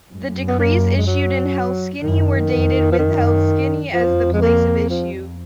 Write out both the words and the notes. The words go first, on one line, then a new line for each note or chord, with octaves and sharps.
The decrees issued in Helsinki were dated with Helsinki as the place of issue.
F#2
B3
A#3
G#3
F#3
F#2 D#3
F2
F3
F#2 D#3
F2 F3
G#3
A#3
F3